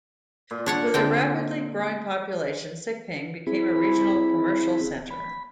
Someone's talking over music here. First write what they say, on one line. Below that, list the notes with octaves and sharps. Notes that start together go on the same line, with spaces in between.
With a rapidly growing population, Siping became a regional commercial center.
A#2
D4 C#5 F#5
D3 C4 G5
C4 E4 G#4 B5
B5